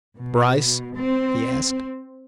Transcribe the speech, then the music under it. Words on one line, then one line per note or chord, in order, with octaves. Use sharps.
"Bryce?" he asked.
B2
C4